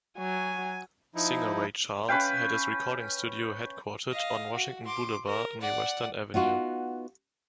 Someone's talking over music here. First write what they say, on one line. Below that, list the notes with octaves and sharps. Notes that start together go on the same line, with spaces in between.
Singer Ray Charles had his recording studio headquartered on Washington Boulevard near Western Avenue.
F#3 G#5
F3 D#4 E4
C#4 B4 F5 G5
D#5 F5
F#4
C6 D6
A#4
D5 F#5
B3 D#4 F4 F#4